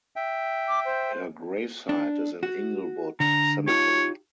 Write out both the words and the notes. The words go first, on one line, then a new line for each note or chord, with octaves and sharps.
Her gravesite is in Inglewood Cemetery.
E5 G5
D6
C5
D4
F#4
D3 A#5
D#4 F4 G4 C#5